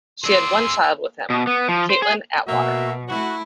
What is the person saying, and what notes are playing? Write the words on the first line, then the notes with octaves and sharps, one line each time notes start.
She had one child with him, Caitlin Atwater.
G#4 D5 C6 E6
B2
B3
F3
C5
G#4
B2 A#3 F#4 E5
A3 E4 F#4